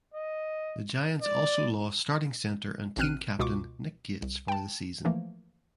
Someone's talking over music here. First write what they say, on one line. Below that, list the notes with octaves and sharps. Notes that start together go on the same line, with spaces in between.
The Giants also lost starting center and team captain Nick Gates for the season.
D#5
D5
A1 B2 C4 F6 F#6 D#7
C#2 B2 F4 C#6 D6
C2
G5 A5
E3 F3 A3 A#3